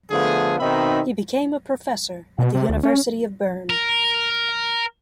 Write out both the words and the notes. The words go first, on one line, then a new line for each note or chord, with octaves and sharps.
He became a professor at the University of Bern.
D3 F3 A3 B3 G#4
B2 D#3 C4 D#4 E5 B5
B2
C3
D2
C#4
A#4